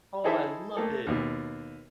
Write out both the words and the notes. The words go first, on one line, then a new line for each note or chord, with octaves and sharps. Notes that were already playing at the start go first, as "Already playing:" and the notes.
Oh, I love it.
D#4 E4 G#4 A4 C5 E5
A3 A#3 A4
D#2 B2